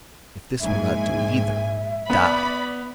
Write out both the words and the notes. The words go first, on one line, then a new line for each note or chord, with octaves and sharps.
If this will not do either, die!
A#1 G#2 E5 G#5
B3 D5 B5